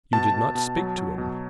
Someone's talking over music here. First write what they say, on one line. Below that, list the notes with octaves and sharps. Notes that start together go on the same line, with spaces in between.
'You did not speak to him.'
B2 A5
B2
B2
F#3
F#3
B2